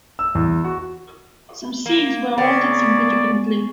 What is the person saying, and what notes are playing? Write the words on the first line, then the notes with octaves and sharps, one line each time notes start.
Some scenes were altered significantly.
E6
E2
F#4
A#3
C#3 B3 D5